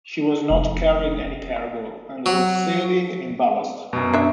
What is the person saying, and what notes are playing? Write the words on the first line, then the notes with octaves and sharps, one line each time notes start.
She was not carrying any cargo, and was sailing in ballast.
F1
F#3
F#2 B2
D4 E5